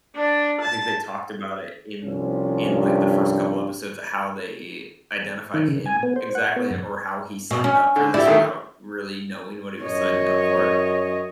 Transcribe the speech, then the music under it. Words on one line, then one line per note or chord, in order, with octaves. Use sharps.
I think they talked about it in in, like, the first couple episodes of how they identified him exactly or how he signed up for this without really knowing what he was signing up for.
D4
A5
C2 F3 C#4
G2
D#3
C#3
G#5
B3
C5
F#5
B3
F#2
B2
C#4
D3
E4 G4 D5
D2 D#3 A3
F#2 C#5 D#5